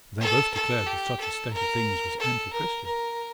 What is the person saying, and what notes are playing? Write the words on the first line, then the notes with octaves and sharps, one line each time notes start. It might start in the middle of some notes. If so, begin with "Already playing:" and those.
They both declared that such a state of things was antichristian.
A4
A4
G4
A4
A#4
A4
A#4
A#4